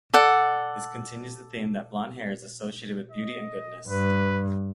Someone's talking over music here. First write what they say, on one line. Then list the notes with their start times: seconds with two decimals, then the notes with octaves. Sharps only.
This continues the theme that blond hair is associated with beauty and goodness.
0.14 A4 D5 F#5
3.11 D#5
3.88 G2 B4